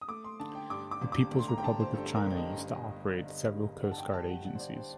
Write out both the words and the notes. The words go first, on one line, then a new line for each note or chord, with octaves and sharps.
The Peoples Republic of China used to operate several coast guard agencies.
D#6
A3 D6
C6
D3 A5
G5
G2 D6
D6
G1
D6
A3
C6
A#5
G5
D3 A5
C5
G2 A4
A#4
G1
D#5
G2
G3
D3
G2
G2 F#5
A5
G5
G3 A5
F#5
D3 F#5
C5
D5
C5